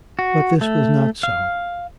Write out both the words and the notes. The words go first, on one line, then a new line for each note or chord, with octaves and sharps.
But this was not so.
F#4
A3
F5